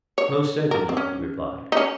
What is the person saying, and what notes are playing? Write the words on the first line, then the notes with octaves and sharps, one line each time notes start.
Most certainly, he replied.
C#5
A#4
C4
C#4
D#4
C#4